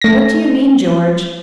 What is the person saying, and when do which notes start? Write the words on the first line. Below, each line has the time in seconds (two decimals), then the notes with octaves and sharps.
"What do you mean, George?"
0.02 A3 A#6